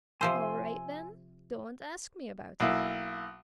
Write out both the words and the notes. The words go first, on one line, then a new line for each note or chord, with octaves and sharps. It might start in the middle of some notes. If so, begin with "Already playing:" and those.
"All right, then; don't ask me about it."
C3 F3 C5 G#5 C6 E6
B1 A#3 E4